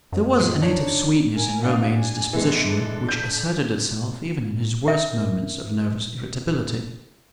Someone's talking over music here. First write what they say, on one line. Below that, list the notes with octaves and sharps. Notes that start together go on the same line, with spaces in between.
There was a native sweetness in Romayne's disposition, which asserted itself even in his worst moments of nervous irritability.
F#2
A#2 F3 G#3
D4 D#4 C#5
A#4 G#5
D4 F#4 F5
G#5
E3 G#3 B3 D4
D4 A4
G6 B6
A#4 E5